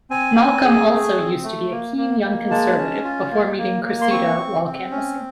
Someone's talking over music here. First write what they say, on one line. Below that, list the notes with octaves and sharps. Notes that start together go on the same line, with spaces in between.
Malcolm also used to be a keen Young Conservative before meeting Cressida while canvassing.
C4 G#5
C4
G#4
A3
C4
A3
A#3
A#3
A#3
G#3 A5
C#4
F4
A#3
A#3
A#3
C6
C4 C#6
C4
C4
C#4